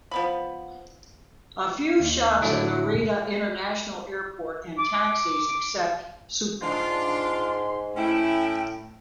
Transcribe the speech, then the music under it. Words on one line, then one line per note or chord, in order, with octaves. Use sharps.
A few shops at Narita International Airport, and taxis accept Suica.
F3 B3 B5
D#2
A2 D3 F#3 A3 D4 E4
D6
G#2 D4 F4 C6
A2 C#4 E4 G5